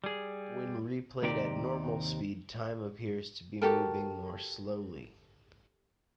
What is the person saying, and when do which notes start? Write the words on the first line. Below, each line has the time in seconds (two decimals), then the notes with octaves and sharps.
When replayed at normal speed, time appears to be moving more slowly.
0.04 G3 G#4
1.23 D#2 C3 D#4 G4 D5
3.62 F#4 G4 A4 A#4